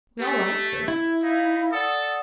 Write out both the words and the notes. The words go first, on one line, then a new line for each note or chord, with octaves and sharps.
We all like her.
A3 G4
E4
D#4 F5
A4 D5 F#5 D#6